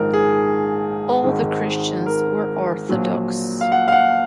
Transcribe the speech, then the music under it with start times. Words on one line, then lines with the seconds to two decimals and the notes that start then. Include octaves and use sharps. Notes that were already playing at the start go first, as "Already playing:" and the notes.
All the Christians were Orthodox.
Already playing: A#1 G#2 D#3 A#4
0.13 G#4
1.23 G#1 G#2 D#3 G#3
2.06 A#4
2.89 A#1 A#2 F#3
3.61 F5
3.72 F#5
3.88 F5
3.92 F#5